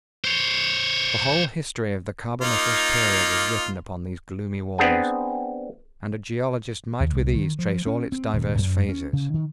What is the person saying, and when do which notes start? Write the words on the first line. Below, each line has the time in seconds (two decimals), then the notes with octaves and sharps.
The whole history of the carboniferous period was written upon these gloomy walls, and a geologist might with ease trace all its diverse phases.
0.25 C5 C#5
2.42 A#3 D#4 F4
4.78 B3 C4 D4 G#4 F#5 G#5
7.00 D#2
7.15 C2
7.34 D#3
7.59 F3
7.87 C#4
8.12 C4
8.33 D#1
8.58 F#2
8.89 C#4
9.13 C#3
9.34 D#3